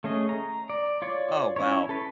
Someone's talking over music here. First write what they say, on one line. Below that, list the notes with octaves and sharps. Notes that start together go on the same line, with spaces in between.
Oh, wow.
A3 C#4 G#4 D#5
A#5
D5
F4 C#5 D5
C#4 E4 C#5
A4 B4